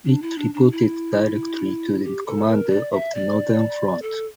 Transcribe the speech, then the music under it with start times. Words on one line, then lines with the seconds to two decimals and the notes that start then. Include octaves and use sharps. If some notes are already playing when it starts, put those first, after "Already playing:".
It reported directly to the commander of the Northern Front.
0.06 D4
0.22 E4
0.38 D4
0.54 D4
0.72 E4
2.04 G4
2.26 A4
2.49 A#4
2.70 D5
2.92 E5
3.15 D5
4.02 A4